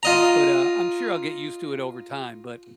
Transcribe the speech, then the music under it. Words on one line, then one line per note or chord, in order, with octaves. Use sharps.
but, uh, I'm sure I'll get used to it over time, but
F4 D#5 A#5